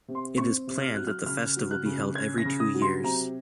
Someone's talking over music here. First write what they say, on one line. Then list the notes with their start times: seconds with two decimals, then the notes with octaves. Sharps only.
It is planned that the festival be held every two years.
0.08 C3
0.15 C6
0.37 C4 C#6
0.67 C3
0.82 F6
0.94 F#3 F#6
1.07 F6
1.26 C#3 F6
1.56 F#3
1.71 F#6
1.85 C#3
2.15 C#4 G#6
2.38 A#6
2.45 C#3
2.60 D#6
2.74 F#3
2.82 C6
3.04 C3 A#5